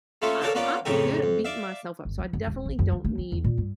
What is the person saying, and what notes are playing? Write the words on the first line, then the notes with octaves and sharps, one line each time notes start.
I'm I'm good at beating myself up, so I definitely don't need
A3 A#3 C#4 E4 F4
A4 A#4 C#5 D5 F5 A5
A#3 B3 C#4 F4 D5 F5
F2 A2 C#3 D#4 G4 G#5
F2
D5 E5 F5
G1
F3
F#2
E1
A1
F#2
F3
A3
C4
E2
A#2
G2